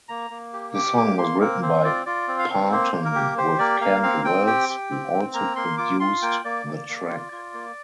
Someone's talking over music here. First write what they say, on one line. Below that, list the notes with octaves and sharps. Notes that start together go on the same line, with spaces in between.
The song was written by Parton with Kent Wells who also produced the track.
A#3 A#5
A#3
G4
G4 D6
A#3 D6
A#3 C6
C4 A#4
C4 C5
F4 D5
F4 D5
C4
F5
C4
A#3 C5
A#3
A#4
G4
G4 C5
A#3 D5
A#3 F5
C4 F5
C4 G5
G4 G5
G4
C4
C4
A#3 A#5
A#3 C6
F4 D6
F4 C6
A#3 G5
A#3 D5
A#3
A#3
F4
F4
A#3